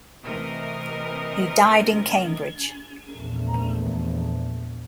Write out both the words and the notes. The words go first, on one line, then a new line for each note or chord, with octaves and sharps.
He died in Cambridge.
C3 E3 A3 A#4 D#5
A#1 E2 A3